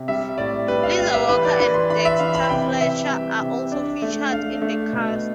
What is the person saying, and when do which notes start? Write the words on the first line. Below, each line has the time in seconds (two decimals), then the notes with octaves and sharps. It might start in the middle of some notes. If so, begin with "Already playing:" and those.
Liza Walker and Dexter Fletcher are also featured in the cast.
Already playing: C3
0.08 G3 E5
0.38 A2 D5
0.68 G3 B4
0.83 F5
0.99 G3 F5
1.14 E5
1.29 E3 B4
1.45 D5
1.59 E3 B5
1.74 C6
1.90 E3 B5
2.05 E5
2.19 E3 F5
2.35 B5
2.50 C3 G5
2.81 C3 E5
3.10 G3
3.40 C3
3.72 D4
4.02 A3
4.32 A3 F5
4.62 A3
4.93 B2